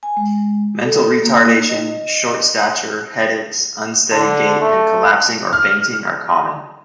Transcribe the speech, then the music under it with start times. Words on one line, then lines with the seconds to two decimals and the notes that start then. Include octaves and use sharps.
Mental retardation, short stature, headaches, unsteady gait, and collapsing or fainting are common.
0.03 G#5
0.17 G#3
0.84 A4
1.23 A#3
1.55 D#4
1.69 D#5
4.11 D3
4.61 A3
5.53 F6